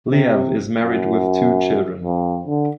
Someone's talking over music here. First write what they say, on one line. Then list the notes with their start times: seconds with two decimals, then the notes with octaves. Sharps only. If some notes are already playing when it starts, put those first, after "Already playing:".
Liew is married with two children.
0.11 C3
0.84 F#2
2.03 F2
2.47 D3